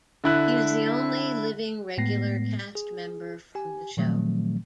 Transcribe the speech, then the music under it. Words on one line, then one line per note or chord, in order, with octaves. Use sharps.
He is the only living regular cast member from the show.
D3 E4 F#6
A2 G#3 A3 B3 A#6 C7
G#4
G4 G#5
A#2 D#3 F3 F#3 A3 C4